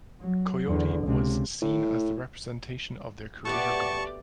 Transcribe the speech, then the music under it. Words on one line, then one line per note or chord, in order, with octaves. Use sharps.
Coyote was seen as the representation of their creator god.
F#3
E2 D3
C#2 C3
A2
A3 B3 F#4 G4 D5 A5 C#6